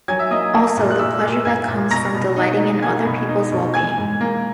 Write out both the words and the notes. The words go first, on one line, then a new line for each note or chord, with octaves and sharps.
Also: the pleasure that comes from delighting in other people's well-being.
F#3 G#5 G#6
E5 E6
A#3 D#5 D#6
A#3
A#2
F#6
A#2 E5 E6
A#2
A#2 G#5 G#6
A#2
B2 A#5 A#6
B2
D#4
D#4
A#3 G#5 G#6
B2
D#4
B2
E3 G#5 G#6
G#2
A#3